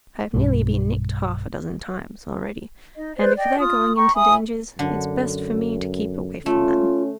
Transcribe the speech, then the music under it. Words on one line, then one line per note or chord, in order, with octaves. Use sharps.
"I've nearly been nicked half a dozen times, already, and if they're going into dangers it's best for me to keep away from them."
B1 G2
D#4 D#5
B4 C5 D5
D5 D#5 G5
F4 D#6
G5 A#5 C#6
E5 G#5 B5 D#6
F#2 D3
A3 C#4 F4